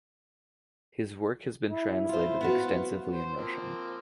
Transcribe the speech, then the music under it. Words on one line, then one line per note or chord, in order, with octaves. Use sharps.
His work has been translated extensively in Russian.
E4
F4 C5
B3 F4 F#4
C5
F3 A#3 C4